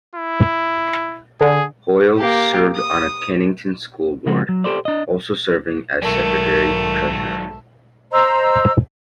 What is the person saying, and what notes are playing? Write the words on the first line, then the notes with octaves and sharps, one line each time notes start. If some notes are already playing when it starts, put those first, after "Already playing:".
Hoyle served on the Cannington School Board, also serving as secretary treasurer.
E4
D3 G#4
A#3 G4
D#6
C#3 F3 G#3 C4 F#4
F#3
G4 A4 C5 D5
D4 D#5
B1 G#2 D#3 F#3 A3 A#4
C5 D#5 A#5 E6